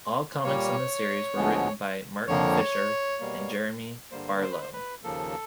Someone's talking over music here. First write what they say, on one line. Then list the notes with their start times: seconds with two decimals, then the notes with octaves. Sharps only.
All comics in this series were written by Martin Fisher and Jeremy Barlow.
0.44 A#2 G3 A#3 C#5
1.36 D2 D3 F3 G#3 B3
2.27 F2 D3 F3 A#3 C#5
3.20 B2 G3 A#3
4.11 G2 D3 G3 A#3 C5
4.42 C5
4.52 B4
4.61 C5
4.73 B4
5.04 D#2 C#3 F3 A#3 A4